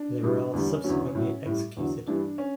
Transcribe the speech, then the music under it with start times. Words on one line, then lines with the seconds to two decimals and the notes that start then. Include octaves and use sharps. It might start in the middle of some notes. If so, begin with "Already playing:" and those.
They were all subsequently executed.
Already playing: D4
0.23 A2 G3
0.53 E2 D3 G3 D4
0.69 C#4
0.84 E2 D3 F#3 C#4
1.15 A2 F#3
1.46 A2 G3
1.77 E2 D3 F#3
2.07 G2 E3 G3 D4
2.38 C#4